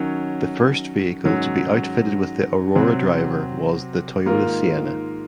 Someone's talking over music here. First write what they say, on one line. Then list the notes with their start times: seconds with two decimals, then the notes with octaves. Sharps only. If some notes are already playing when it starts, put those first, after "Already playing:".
The first vehicle to be outfitted with the Aurora Driver was the Toyota Sienna.
Already playing: D#3 F#3 C#4
1.25 G#2 D#3 F#3 C#4
2.75 C3 F#3 C4
4.26 G#2 D#3 A#3 F4 A#4